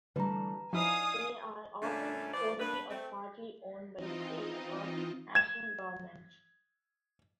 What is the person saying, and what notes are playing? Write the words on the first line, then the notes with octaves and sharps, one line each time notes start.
They are often wholly or partly owned by state or national governments.
D3 E3 G3 A3 B4 A#5
F3 D#4 E4 D5 F5 G#5 D#6
A#2 D3 G3 A3 C#4 D4
E3 F3 C5 D5
G2 B4
A3 C4
E3 C4 D#4 F4 D#5
G#6 E7